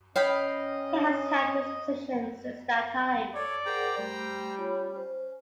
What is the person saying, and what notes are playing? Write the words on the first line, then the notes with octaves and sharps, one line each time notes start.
He has held this position since that time.
C#4 C#5 D#5 F5 G5 B5
A4 C#5 D5
G#4 A#4 C5 F#5 G5 A#5
G3 A3
C#4 F4 C#5 B5
C5